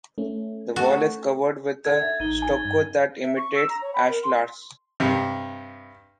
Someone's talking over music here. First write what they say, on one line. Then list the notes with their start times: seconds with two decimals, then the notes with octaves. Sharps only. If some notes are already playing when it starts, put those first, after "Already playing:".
The wall is covered with a stucco that imitates ashlars.
0.18 A3 C#4
0.76 F#4 A4
1.85 D4 A4 F#5 G#6
2.01 E5 A6
2.20 A1 D#4 D#7 G7
2.42 G#5
2.64 G2
3.23 E5
3.37 C#6
3.55 E6
3.69 A#5
3.81 C#5
3.94 B5
4.08 A#4
4.23 C6
5.00 G2 C3